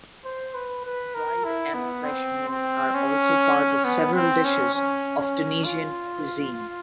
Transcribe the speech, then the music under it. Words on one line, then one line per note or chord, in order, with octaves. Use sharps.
Dried and fresh mint are also part of several dishes of Tunisian cuisine.
C5
B4
B4
A#4
E4
B3
C4
C4
C#4
B3
C4
C#4
C#4
C#4
F4